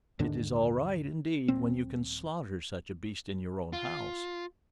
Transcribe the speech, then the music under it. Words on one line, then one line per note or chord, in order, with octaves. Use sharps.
It is all right indeed when you can slaughter such a beast in your own house.
D#2 G#2 D3 D4
D#1 C4
F4